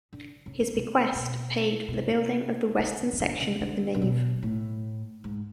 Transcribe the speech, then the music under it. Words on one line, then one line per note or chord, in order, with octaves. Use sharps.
His bequest paid for the building of the western section of the nave.
D3
C#3
D3
C3
B2
B2
C3
C#3
D#3
D3
C#3
D3
C3
B2
A2
G#2